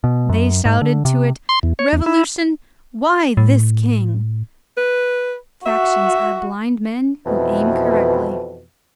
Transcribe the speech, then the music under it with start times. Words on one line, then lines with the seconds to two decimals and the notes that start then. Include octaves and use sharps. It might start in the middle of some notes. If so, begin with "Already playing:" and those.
They shouted to it: "Revolution, why this king?" Factions are blind men who aim correctly.
0.04 B2
0.29 F#2
0.65 G#2
0.82 D3
1.05 C3
1.49 C6
1.63 E2
1.79 C#5
1.93 E2
2.06 E4
3.37 A2
4.77 B4
5.66 F#4 E5
7.26 F2 B2 E3